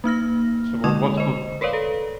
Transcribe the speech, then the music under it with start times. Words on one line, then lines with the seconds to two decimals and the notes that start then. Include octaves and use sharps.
So w what's co
0.04 A#3 D#4 F6 A#6
0.84 D3 G#3 D6 D#6 G#6 F7
1.17 C5 D#5
1.61 A#4 B4 C#5 D5 F5
1.73 A4